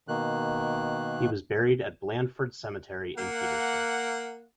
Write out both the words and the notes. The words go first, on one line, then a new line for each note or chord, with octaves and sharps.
He was buried at Blandford Cemetery in Petersburg.
B2 D#3 A#3 F#6
A#3 F#5